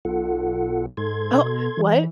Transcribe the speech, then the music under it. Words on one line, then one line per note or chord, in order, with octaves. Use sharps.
Oh what?
B1 F4 A4 F#5
G#2 A4 C6 G#6
B2
E3